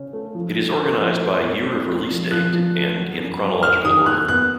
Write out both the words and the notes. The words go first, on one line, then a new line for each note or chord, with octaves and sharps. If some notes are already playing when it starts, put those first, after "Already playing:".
It is organized by "year of release date" and in "chronological order".
Already playing: C#3 C#4
A3
F3
A3
C#4
F3
A3
A#2
C4
A3
F3
F3 F#6
F3
A3
F#3
F#2
F#3
F#3 F6
D#3 D#6
A#3 F#6
B3 F#6